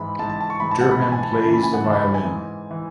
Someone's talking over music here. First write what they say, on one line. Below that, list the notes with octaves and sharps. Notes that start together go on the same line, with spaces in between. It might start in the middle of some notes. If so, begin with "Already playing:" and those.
Derham plays the violin.
Already playing: G#2 E3 B5
G#2 E3 A5
A5
A5
C#6
G#2 E3 B5
A5
F#5
B5
G#2 E3 A5
G#5
A5
B5
F#2 C#3 E3 A5
B5
G#5
F#5
F#2 C#3 E3 A5
B5
G#5
G#2 E3
E3